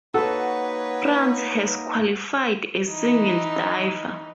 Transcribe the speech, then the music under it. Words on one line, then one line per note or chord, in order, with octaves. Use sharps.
France has qualified a single diver.
A#3 D#4 F#4 A4 B4 C#5
E3 D#4